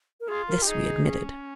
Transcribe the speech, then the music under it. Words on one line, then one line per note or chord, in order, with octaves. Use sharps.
This we admitted.
A#4
F4 G#4
A#4
G4
D#4 G#4
C#4